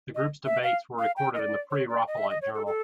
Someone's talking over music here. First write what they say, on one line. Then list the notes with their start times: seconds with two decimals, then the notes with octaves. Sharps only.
The group's debates were recorded in the "Pre-Raphaelite Journal".
0.15 D#5
0.46 E5
0.64 F5
0.99 F5
1.17 G5
1.34 D#5
1.39 D5
1.71 C#5
1.89 D5
2.07 D#5
2.18 E5
2.30 D#5
2.42 C#5
2.54 A4
2.67 A4